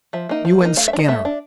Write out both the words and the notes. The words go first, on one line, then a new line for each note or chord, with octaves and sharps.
"You and Skinner."
F3 E5
A#3 D#4
F3
A#3 D#4
A3 F5
E5
D4
D#5
A3 E5
D4